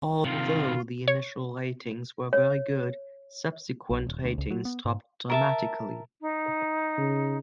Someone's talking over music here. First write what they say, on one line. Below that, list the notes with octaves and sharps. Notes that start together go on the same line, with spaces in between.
Although the initial ratings were very good, subsequent ratings dropped dramatically.
C3 D#3 F4
C#5
C#5
B1
D#1
D2
C#2
F#3
B3
G#2
A#4 E5 A5
D#4
C#3